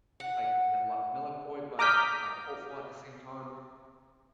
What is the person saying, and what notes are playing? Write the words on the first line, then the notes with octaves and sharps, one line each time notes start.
it's, like, mela melancholy, but, like, hopeful at the same time,
F#5
A#5 D6 D#6 F6 G6 B6